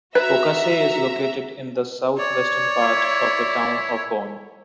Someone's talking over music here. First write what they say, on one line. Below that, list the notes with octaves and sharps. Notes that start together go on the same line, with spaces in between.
Pocasset is located in the southwestern part of the town of Bourne.
F#4 B4 E5 A#5
C#5 D5
E4